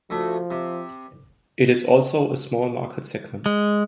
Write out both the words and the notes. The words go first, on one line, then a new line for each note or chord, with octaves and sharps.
It is also a small market segment.
D2 F3 A3
C3
G#3